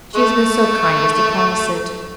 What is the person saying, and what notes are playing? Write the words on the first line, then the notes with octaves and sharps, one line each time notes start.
She has been so kind as to promise it.
A3 C#6